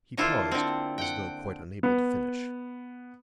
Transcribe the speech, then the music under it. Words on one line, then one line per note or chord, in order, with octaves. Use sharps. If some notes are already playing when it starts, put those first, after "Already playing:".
He paused as though quite unable to finish.
D3 A#3 E4 F4 A4 C5
D3 C4
F#5 G5
B3